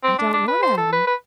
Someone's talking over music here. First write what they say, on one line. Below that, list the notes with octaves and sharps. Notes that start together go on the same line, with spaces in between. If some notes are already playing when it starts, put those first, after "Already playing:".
I don't know them.
C4
D4
D4
B4
C5
A4
B4
B4